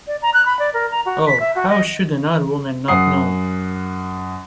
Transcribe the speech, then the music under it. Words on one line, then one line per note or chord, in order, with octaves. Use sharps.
Oh, how should another woman not know?
D5
A#5
F#6
B5
D5
A#4
A#5
F#4
B6
E5
F#4
D#5
F#2 F#5 D#6 C7